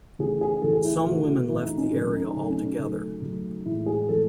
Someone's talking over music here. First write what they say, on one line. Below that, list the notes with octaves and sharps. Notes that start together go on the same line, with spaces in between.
Some women left the area altogether.
C#3 E3 A3 G#4
G#4
C#3 E3 A3 A4
G#4
E4
E4
C#3 E3 A3 F#4
C#3 E3 A3 E4
D#4
C#4
C#3 F#3 A3 C#4
D#4
C#3 F#3 A3 D#4
C#4
D#4
C#3 F#3 A3
C#3 F#3 A3
A2 E3 G#3 E4
G#4
A2 E3 G#3 A4